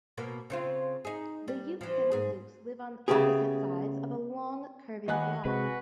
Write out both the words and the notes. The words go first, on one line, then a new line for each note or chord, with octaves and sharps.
The Yooks and the Zooks live on opposite sides of a long curving wall.
B2 A#3 B3
C#3 C4 F4
D#4 G#4
G3
E3 F3
G#2 G#4
C#3 A3 B3 G4 G#4
D#2 B4 D#5 F#5 G#5 F#6
C3 G#3 C4 F#4 B4